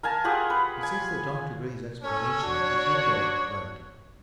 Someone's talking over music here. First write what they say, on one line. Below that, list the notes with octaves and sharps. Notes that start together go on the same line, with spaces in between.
He says that Dr. Gray's explanation is no doubt right.
A#4 F5 G#5 A5
F4 G4 G#4 F#5
B4
G#5
C#4 A4 C#5
D4 F#4